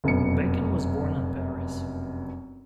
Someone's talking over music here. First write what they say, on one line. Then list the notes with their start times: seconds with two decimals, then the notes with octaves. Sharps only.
Bacon was born in Paris.
0.04 F1 F#2 B2 C#7